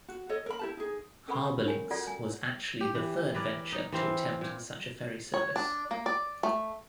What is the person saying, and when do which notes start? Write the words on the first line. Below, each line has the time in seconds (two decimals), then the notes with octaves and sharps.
HarbourLynx was actually the third venture to attempt such a ferry service.
0.08 F#4
0.29 A4 C#5 D#5
0.46 A#4 B5
0.59 E4 G4 A5
0.77 D#4 G#4
1.28 C#4 A4 B4 F#5 B5 C#6
1.66 A#4 C#5 G#5
1.91 F4 F#4 A4 D5 F#5
2.07 G#5
2.81 G4
2.95 E3
3.34 E4 A#4 B4 D5
3.72 D#4
3.92 E3 C4 F5
4.41 A#2
5.34 C#5
5.56 D4
5.91 A#3
6.06 D5
6.43 A3